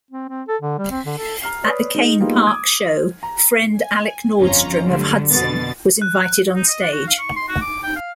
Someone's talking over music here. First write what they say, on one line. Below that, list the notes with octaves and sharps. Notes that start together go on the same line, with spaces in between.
At the Cain Park show, friend Alec Nordstrom of Hudson was invited onstage.
C4
C4
A4
D3
G3
C4
D3
A4
A#5 F6 C7
B4 C#5 D5 B5 D#6
G#3 D#4
G3 G#3 A#3 B3 D#4 F4
D6 D#6 G#6
A#5
G#5
G1 F2 C#4 F4 A#5
D3 F#3 G3 A3
F2 B2 D3 B3 A6
F#6
D#4
D#5
D4
F#4
F5
C#6
C6
F#4
D6
G5
F5